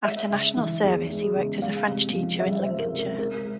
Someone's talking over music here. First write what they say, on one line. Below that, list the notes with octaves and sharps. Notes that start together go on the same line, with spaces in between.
After national service he worked as a French teacher in Lincolnshire.
G#3 E5
C#3
E3
E2
G#3
C#3
G#3 F5
C3
F3
C#2 E5
C5
G#3
A#4
C3
A#4
G#3 A#4